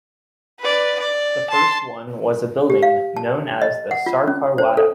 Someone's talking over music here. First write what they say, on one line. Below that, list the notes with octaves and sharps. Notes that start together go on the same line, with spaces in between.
The first one was a building known as the Sarkar Wada.
B4 D5
D5
A5 C6
G4
F5
A5
D#5
F#5
F4
C#4
C5
A4